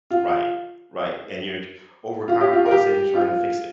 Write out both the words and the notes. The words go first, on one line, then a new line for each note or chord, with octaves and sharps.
Right, right, and you're j overcompensating trying to fix it.
F4
F4
G4
F4
A#4
G4
F4